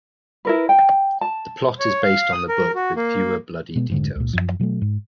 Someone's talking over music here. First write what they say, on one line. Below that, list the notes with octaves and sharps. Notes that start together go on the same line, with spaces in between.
The plot is based on the book with fewer bloody details.
E4 A#4 B4
G5
A5
C#5
F5
D#6
A#4
F#4
A#3
B2 G#3 B3
F1 G#2 D3
C#2 A#2
F#2 F3
B2 F#3 G3 A3
G#2